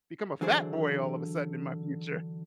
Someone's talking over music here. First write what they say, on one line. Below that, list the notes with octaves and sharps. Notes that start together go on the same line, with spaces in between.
become a fat boy all of a sudden in my future.
D3 E3 F#3 G#4 C5 D5